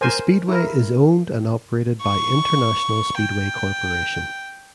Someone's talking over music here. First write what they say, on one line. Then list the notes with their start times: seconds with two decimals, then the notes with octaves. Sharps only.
The speedway is owned and operated by International Speedway Corporation.
0.01 A#4 C5 G#5
0.48 E4 A#4
2.02 C#6
3.18 G5